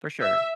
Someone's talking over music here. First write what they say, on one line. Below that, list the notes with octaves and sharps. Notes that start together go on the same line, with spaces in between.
For sure.
E5